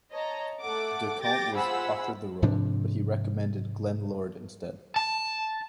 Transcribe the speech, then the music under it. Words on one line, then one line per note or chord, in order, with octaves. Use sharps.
De Camp was offered the role but he recommended Glenn Lord instead.
C#5 D#5 A5 A#5
A3 A4 F#5 D6
G4 G5 D6 A6 A#6
F4 G#4 C5 F#5 B5 E6
G#2 C3 F3 D4
A5